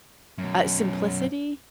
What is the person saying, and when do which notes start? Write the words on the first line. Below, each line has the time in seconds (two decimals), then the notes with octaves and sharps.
Uh, simplicity?
0.38 F#2 B2